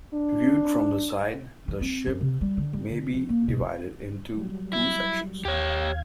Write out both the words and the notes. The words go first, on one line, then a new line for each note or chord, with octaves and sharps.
Viewed from the side, the ship may be divided into two sections.
D4
E3
C4
F#2
C3
G3
D3
G3
D3
F3
A#3
B2
F4
F#3 G3
E4
D#2 G4 C#5 F5 G#6